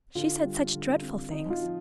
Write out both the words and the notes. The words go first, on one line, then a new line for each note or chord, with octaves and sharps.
"She said such dreadful things."
D3 F4
G3
D3
C4
C4 D#4
F4
F3